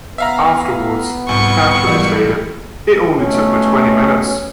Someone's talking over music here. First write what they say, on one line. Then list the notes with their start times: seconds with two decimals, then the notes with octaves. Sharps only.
Afterwards he casually stated "it only took me twenty minutes".
0.18 B3 E5 F5 A#5
1.29 C2 G#2 C#6
1.87 B1 E3 G3 F4 A#4
3.19 B2 A3 C#4